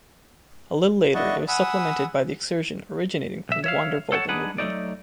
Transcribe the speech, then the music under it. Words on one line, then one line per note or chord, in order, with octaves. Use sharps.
A little later it was supplemented by the excursion originating from the Wandervogel movement.
D4 E4 D#5 F#5 A5 C#6
F#5 G#5 B5 D#6 E6
B1 E5
C#5 E5 F5
A4 C#5 F#5 G5 A5
D4 D#4 G#4 B4 F#5
F#3 A3 D#4 D5